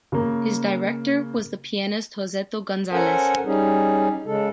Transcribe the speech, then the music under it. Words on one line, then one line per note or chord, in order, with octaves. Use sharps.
His Director was the pianist Joseito Gonzalez.
C#3 A#3
C#4 A4 A#4 C5 F#5 G#5
G3 C#4 D#4 G#4
C#3 G#3 A4